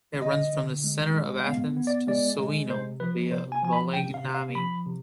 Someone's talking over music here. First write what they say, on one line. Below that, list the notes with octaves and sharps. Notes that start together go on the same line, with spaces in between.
It runs from the centre of Athens to Sounio, via Vouliagmeni.
D3 D#5
D3
G#3
G#3
B3 F5
B3
D5
G#3 D5
G#3
C3 C5
F3 B4
C3 C5
G#5
F3 G#5
B5
C3 G5
F5
C3
F5
F3 B5
C3